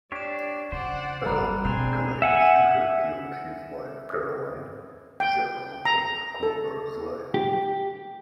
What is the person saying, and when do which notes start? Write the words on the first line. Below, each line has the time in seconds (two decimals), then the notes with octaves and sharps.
Earle claims to have killed his wife Caroline, the love of Cooper's life.
0.12 D4 G4 C#5 D5 C7 E7
0.72 C#3 C5 D5 F#5
1.26 G1 G3 A#5 B5 F#6
1.65 B2 G#3 C4 D4 C5 G#5 C7 F7
2.22 E5 F#5 G#5
5.20 G5
5.85 A#5
6.43 A4
7.34 G4